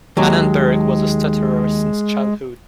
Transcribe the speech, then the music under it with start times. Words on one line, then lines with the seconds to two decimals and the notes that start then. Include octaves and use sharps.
Annenberg was a stutterer since childhood.
0.17 D#2 F#3 G#3